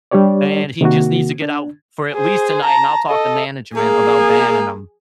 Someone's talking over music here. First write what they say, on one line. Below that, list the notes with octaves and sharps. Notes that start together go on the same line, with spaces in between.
and he just needs to get out for at least tonight, and I'll talk to management about banning him."
G3 D4 G4 C#5 D5
C3 D#3 A#3 F#4
D4
G#4 C5
A5 A#5
A4 D#5
A#3 G#4